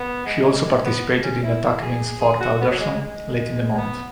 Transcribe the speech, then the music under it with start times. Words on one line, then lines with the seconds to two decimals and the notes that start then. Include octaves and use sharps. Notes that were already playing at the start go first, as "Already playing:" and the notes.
She also participated in the attack against Fort Anderson late in the month.
Already playing: B3
0.26 G#3
0.65 G#3
0.85 B3
1.23 C#4
1.43 E4
1.82 G#4
2.21 G#4
2.40 F#4
2.61 B3
2.71 F#3
2.80 G#3
2.99 G#3
3.73 G#3
3.77 B3